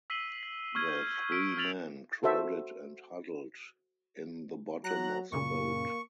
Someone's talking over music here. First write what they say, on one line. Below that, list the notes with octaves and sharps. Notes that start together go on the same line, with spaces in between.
The three men crowded and huddled in the bottom of the boat.
E6 B6 C7 D#7 F#7 G7
B6
C#6 F6 G#6 D#7
G6
E6 B6 D7
F6 G#6 A6 B6 F7 F#7
F#4 A4 C5 E5
F#3 A#5 F#6
F#2 A#2 C#3 A#3 C#6